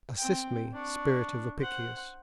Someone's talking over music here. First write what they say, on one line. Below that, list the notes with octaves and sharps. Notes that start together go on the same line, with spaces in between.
Assist me, Spirit of Apicius!
C4 G5
D4 C#6
C5 F#5